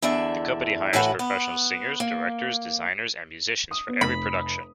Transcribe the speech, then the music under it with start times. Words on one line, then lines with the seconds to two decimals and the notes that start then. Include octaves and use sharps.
The company hires professional singers, directors, designers and musicians for every production.
0.02 E2 D3 D4 E5
0.93 A2 E3 F#4 A4 B4 F#5
1.19 B3
2.00 A#3
3.71 D#6
3.88 B3
4.01 F1 B5